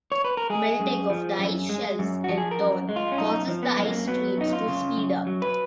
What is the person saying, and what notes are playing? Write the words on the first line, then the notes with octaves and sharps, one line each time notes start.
Melting of the ice shelves in turn causes the ice streams to speed up.
C#5
B4
A#4
G#3 G#4
F#2
F3
F#2
G#3
F#2
F3 F#4
G#4
A#4
F#2
G#3
F4
C#4
F#2 D#4
F3
B3
F#2 G#3
A#3
F#3 B3
F#2 D#4
F4
C#3
F#2
F#3
B4